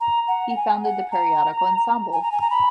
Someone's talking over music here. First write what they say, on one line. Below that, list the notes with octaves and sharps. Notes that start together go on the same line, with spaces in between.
He founded the periodical Ensemble!
A#5
F#5
F#5
G#5
F#5
A#5
G#5
A#5
G#5
A#5
B5